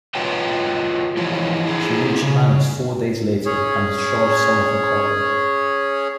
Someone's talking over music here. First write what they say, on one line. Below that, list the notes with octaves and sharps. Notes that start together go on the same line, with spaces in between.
She reached Manus four days later and discharged some of her cargo.
F4 F#4 B4 C#5 D#5 G5
E3 F3 E4 C#5 D#5
E4 G#4 A4 A#5
C#3
C#4 G#4 C#5